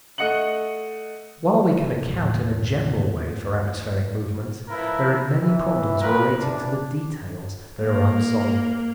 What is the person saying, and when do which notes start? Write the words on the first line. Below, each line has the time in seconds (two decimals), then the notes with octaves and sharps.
While we can account in a general way for atmospheric movements, there are many problems relating to the details that are unsolved.
0.18 A3 D#5 F#5 C#7 F#7
2.07 D#2 A2
4.69 C#2 F3 E4 A#4 B4
5.38 E3 E4
6.00 G2 A#2 F4 A#4 B4
6.40 B1 E3 D4
7.80 A#3